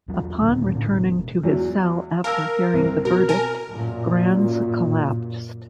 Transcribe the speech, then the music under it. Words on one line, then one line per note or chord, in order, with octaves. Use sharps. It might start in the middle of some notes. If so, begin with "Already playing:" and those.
Upon returning to his cell after hearing the verdict, Grans collapsed.
E2 F#3
D#2 A#2 D3
F1 A2 D3 C#4
E1 E2
E2 F#3
A#4 F5 A5 E6
C2 C4
B2 A#4
A#4 G#5 A5
F#2 A#2